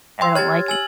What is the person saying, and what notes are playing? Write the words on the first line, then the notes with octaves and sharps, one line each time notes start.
and I don't like it.
G5 C6 E6
G4 C#5 F6 G#6 A6
G#5 E6 F#7